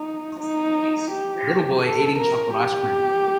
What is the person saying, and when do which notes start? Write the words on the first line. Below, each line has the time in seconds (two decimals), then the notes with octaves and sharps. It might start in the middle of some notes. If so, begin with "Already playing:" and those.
Little boy eating chocolate ice cream.
Already playing: D#4
0.40 D#4
1.11 G4
1.83 A4
2.18 A#4
2.54 G4